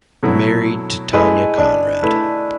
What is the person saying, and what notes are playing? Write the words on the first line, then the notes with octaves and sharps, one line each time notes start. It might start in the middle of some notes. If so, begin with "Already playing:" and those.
Married to Tanya Conrad.
B2 F#3 A3 E4
G#3 A3 E4 B4
D4
A3 E4 B4